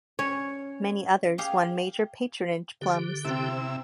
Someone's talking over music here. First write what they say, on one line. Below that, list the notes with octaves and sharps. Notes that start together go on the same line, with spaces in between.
Many others won major patronage plums.
C#4 C#5
G4 G#4 F5
D3 G4
C3 C4 E4 E6